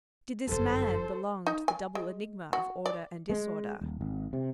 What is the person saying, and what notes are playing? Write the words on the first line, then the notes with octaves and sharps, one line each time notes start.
Did this man belong to the double enigma of order and disorder?
G1 F#2 A4 C5
D#4
G#5
G#3
F#4
D5
G#3
D#1
G#1
C3